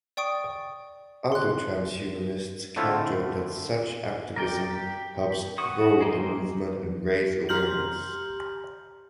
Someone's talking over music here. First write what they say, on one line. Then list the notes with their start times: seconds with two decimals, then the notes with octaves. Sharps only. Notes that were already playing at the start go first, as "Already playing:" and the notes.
Other transhumanists countered that such activism helps grow the movement and raise awareness.
0.17 D5 G5 C#6 D#6 D7
1.32 C6 F#6
2.76 D3 A3 C4 E4 F4
4.36 A#4 D5 G5
4.71 G4
5.58 F#4 C#6 D#6
6.01 G#3 A#3 C4 D#4
7.49 G4 A#5 C6 F6 G6 F#7